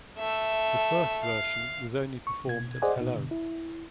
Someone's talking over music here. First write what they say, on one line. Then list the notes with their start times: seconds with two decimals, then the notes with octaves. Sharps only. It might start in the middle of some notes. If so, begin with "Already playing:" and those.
The first version was only performed at Hello!
0.19 A3 E5
1.24 F5
2.27 C#6
2.47 B2 G#6
2.82 G#4 C5 D5 D#5 F#5 G#5
2.97 A#2 D#4
3.15 B2 D3
3.31 E4